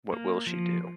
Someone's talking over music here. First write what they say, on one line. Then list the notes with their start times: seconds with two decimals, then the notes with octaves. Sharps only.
What will she do?
0.13 A#3
0.47 F3